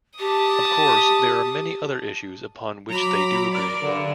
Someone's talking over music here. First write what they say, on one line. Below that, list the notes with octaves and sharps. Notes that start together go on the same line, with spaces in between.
Of course, there are many other issues upon which they do agree.
G4 A5 D#6
F#3 A#5 B5 D6
A#4 D5
G2 D3